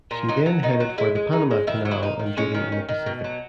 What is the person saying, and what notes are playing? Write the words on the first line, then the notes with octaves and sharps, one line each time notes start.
She then headed for the Panama Canal and duty in the Pacific.
A#2
F#3 D#4
F#3
D#3 D#4
F#3
G#3 E4
G#3
C#3 D#4
G#3
D#3 E4
F#3
E4
A#3 D#4
D#3
G#3 C#4
D#3
D#3
D#3
B2
F#3